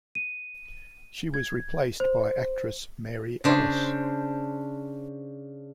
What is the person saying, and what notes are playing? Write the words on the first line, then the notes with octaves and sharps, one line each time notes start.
She was replaced by actress Mary Alice.
D#7
G#6
C5
C#3 D4 C5